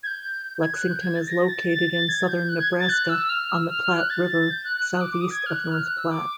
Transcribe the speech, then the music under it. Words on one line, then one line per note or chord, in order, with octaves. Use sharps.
Lexington is located in southern Nebraska, on the Platte River, southeast of North Platte.
G#6
G6
G#6
F#6
G6
G#6
A6
A#6
A6
A6
A6
G#6
G6
F#6
G#6
A6
F#6
E6
F6
E6
F6
F6
F#6
A6
G6
F#6
F#6
F#6
D6
D6
D#6
G#6
F6
F#6
F6
F#6
E6
D6